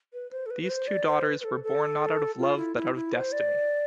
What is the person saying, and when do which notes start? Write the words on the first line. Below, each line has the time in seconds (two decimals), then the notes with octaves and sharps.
These two daughters were born not out of love but out of destiny.
0.13 B4
0.31 C5
0.46 A4
0.51 B4
0.62 B4
0.69 C5
0.88 D5
1.07 C5
1.26 B4
1.41 B4
1.44 A4
1.64 A4
2.39 F4
2.58 E4
2.76 E4
2.95 E4
3.14 C5
3.32 D5